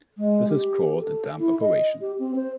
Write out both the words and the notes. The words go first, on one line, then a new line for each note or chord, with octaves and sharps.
This is called a dump operation.
G#3
G4
A4
E4
D#5
G4
C4
C5